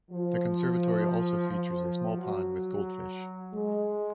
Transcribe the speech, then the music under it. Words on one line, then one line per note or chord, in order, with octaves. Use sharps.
The conservatory also features a small pond with goldfish.
F3
F3
F#3
G#3